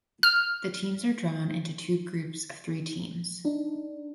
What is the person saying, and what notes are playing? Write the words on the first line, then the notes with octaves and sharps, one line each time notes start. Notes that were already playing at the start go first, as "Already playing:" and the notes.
The teams are drawn into two groups of three teams.
F6
D4 D#4